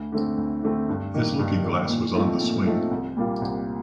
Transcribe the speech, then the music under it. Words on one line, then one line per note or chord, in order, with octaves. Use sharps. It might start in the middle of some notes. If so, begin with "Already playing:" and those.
His looking-glass was on the swing.
Already playing: D2
D3 A3 C4
D2
D3 A3 C4
G2
D#3 A#3 D#4
G2
D#3 A#3 D#4
A#2
F3 A3 C4 D#4
A#2
F3 A3 C4 D#4
C2
A#2 G3 A#3 F4
C2